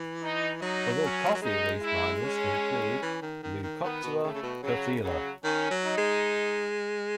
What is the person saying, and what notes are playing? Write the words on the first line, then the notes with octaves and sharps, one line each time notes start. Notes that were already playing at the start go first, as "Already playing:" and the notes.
Other coffee leafminers include "Leucoptera coffeella".
Already playing: E3
D#4
F#3 D#4
C#4
F#3
G#3 D#4
E4
C#4
E3
D#3
D#3
D#3
D#3 B3
B2
C#3 A3
C#3
B2
C#3 F#3
C#3 F#3
D#3 C#4
F#3
D#4
G#3